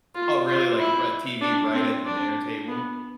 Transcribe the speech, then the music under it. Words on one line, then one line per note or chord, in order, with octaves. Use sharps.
Oh really like ri TV right at the dinner table?
F4
F4
E4
D4
C4
D4
B3